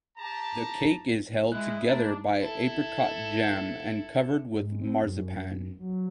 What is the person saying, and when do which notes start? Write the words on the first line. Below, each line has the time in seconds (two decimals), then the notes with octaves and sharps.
The cake is held together by apricot jam and covered with marzipan.
0.18 G4 A5 A#5
1.52 G#3 E4 F#6
1.89 A3 D4 A#5 A6
2.04 D#4
2.40 E4 A4
4.54 G#2
4.81 C4
5.03 F#2
5.78 F#3